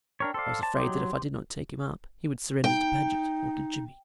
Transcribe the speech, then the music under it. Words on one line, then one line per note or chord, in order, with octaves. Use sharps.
I was afraid that if I did not take him up he would surrender to Paget or to Jimmy.
D4 A#4 C#5 G5
A4 C5 D5 F5
A5
F#3 D#4 G4 C6
D#4 G5